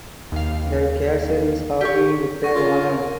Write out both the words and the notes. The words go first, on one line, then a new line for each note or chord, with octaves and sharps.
The cashier is arguing with the owner.
D#2 F5
G4 C#5
F#5 C#6 A#6
F4 A#4 C#5